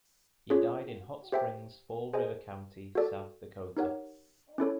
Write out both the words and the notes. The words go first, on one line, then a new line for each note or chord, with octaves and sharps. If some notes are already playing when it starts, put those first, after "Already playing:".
He died in Hot Springs, Fall River County, South Dakota.
C#4 F4 G#4 C#5
G4 C5 E5 G5
G#4 C5 D#5 G#5
F#4 A4 D5
D#4 G4 A#4 C#5 F#5
C#4 E4 A4 C#5